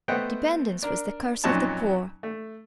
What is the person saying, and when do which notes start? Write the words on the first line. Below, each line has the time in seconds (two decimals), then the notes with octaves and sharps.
Dependence was the curse of the poor.
0.08 A3 B3 C5 D#5 F#5 G5
0.83 D4 A#4
1.44 F2 A#2 F#3 C#4 D#4 A5
2.23 A3